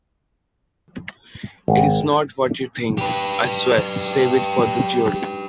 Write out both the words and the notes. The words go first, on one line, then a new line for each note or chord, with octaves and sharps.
It’s not what you think, I swear! Save it for the jury!
G#1
G4 B4